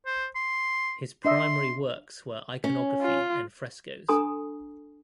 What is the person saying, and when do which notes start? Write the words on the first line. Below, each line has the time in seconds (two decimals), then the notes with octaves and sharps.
His primary works were iconography and frescos.
0.06 C5
0.35 C6
1.25 D4 D#5 E5 C6
2.64 C#4
3.02 F4
4.09 D4 A4 G#5 A#5 C6 D#6